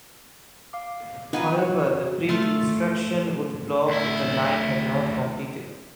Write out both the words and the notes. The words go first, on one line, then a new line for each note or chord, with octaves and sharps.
However, the print instruction would block if the line had not completed.
F5 D6
F2 C#3 B3 D#4 F4 G#5
F#4
A3 F4 A4 F5
D2 E4